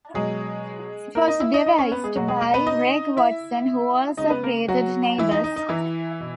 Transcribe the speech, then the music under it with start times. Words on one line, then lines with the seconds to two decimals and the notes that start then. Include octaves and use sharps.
It was devised by Reg Watson who also created "Neighbours".
0.14 B2 F#3 G#3 G#4
1.15 A#3 A#4
1.28 D#4 D#5
1.40 E4 E5
1.53 D#4 D#5
1.66 D#4 D#5
1.78 C#4 C#5
1.92 B3 B4
2.04 G#3 G#4
2.16 B2 F#3 G#3 F#4
2.28 G#3 G#4
2.41 A#3 A#4
2.54 B3 B4
2.67 D#4 D#5
3.17 E4 E5
4.17 C#3 G#3 D#4 D#5
4.30 B3 B4
4.43 A#3 A#4
4.68 F#3 F#4
5.18 E3 E4
5.31 D#4
5.44 D#4
5.56 D#4
5.69 E3 E4
6.20 B2